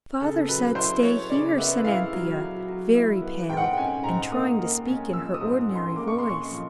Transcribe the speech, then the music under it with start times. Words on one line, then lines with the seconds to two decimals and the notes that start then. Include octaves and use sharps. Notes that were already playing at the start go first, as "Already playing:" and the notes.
'Father said stay here,' said Anthea, very pale, and trying to speak in her ordinary voice.
0.21 C#3 A4
0.48 F#3 B4
0.75 E4 C5
1.02 B3 C#5
1.30 C#3 D5
1.58 B3 E5
1.85 E4 F5
2.13 F#3
2.40 F#3
2.68 F#3
2.95 E4
3.22 B3
3.49 G#2 G5
3.57 F#5
3.64 G5
3.77 C#4 G#5
4.04 G#2 A#5
4.32 A#3 D#6
4.59 A#3
4.87 C#4
5.13 F3 E6
5.34 D#6
5.41 G#2
5.69 C#4
5.76 C6
5.96 A#3 D6
6.07 C#6
6.18 C#4 C6
6.29 C#6
6.51 F3